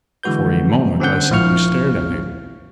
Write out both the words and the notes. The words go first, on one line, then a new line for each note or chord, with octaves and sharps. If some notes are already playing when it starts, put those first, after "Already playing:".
For a moment I simply stared at him.
D3 E3 G#3 F#4 B4 G6
D3 C4 C#4 F#5 G6
A#1 F3 E4 F5 C#6 F6